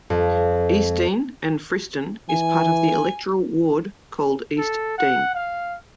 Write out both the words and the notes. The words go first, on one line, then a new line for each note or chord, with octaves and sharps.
Eastdean and Friston is part of the electoral ward called East Dean.
F2
E3 G#5
A4
F#5
F5